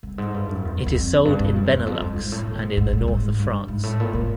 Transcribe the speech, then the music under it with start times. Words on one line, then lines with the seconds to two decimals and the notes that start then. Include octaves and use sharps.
It is sold in Benelux and in the north of France.
0.03 G2
0.18 G#2
0.34 G2
0.49 F#2
0.65 E2
0.86 E2
0.95 F2
1.25 G2
1.40 G2
1.56 F#2
1.64 F2
1.71 E2
1.86 F2
2.02 G2
2.16 G#2
2.32 A2
2.47 A#2
2.63 G#2
2.77 G#2
2.93 A2
3.08 G#2
3.39 G2
3.68 G#2
3.83 A2
4.00 A#2
4.15 A#2